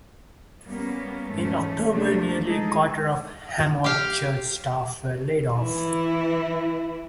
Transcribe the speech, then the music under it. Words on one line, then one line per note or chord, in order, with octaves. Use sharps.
In October, nearly a quarter of the Hammond church staff were laid off.
G3 A#3 B3 C#4
E2 G#2 A3 C#4
C3 G3 A3 A#3 D4
G#3 D#4 G#4 A4
G4 F5
E3 E4